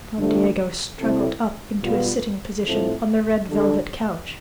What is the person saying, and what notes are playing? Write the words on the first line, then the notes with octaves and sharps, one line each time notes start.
Don Diego struggled up into a sitting position on the red velvet couch.
D3 F3 A3 D4 G4
C3 G3 C4 E4 A4
B2 G3 B3 F4 B4
A2 F3 C4 E4 A4
D3 G3 D4 A4